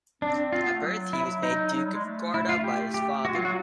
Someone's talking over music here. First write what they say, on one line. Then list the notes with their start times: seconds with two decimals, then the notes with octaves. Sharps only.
At birth, he was made Duke of Guarda by his father.
0.22 C4 D4
0.52 C4 F4
0.63 B3
0.73 A3
0.83 F#3
0.98 F#3
1.13 E4
1.43 D#4
1.74 F#3
1.84 G3
1.94 G#3
2.04 A3
2.34 E4
2.49 F4
2.64 G4
2.94 G4
3.25 G#3 F#4
3.35 F#3 F4
3.45 F#3 F#4